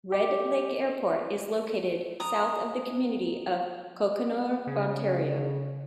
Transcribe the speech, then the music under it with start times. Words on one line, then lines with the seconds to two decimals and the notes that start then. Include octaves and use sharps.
Red Lake Airport is located south of the community of Cochenour, Ontario.
0.12 G4
2.20 A#5 D#6
4.67 C#3